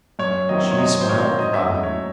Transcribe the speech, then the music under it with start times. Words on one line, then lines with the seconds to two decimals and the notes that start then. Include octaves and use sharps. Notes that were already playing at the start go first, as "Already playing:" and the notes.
She smiled proudly.
0.19 F#2 C#5
0.49 D#3 F#3 C4 E4 D#5
0.72 C#5
0.78 F#2 D#5
1.01 C5
1.09 D#3 F#3 C4 E4 C#5
1.39 G#2 D#5
1.54 E5
1.68 F#3 A3 C#4 E4 D#5
1.83 C#5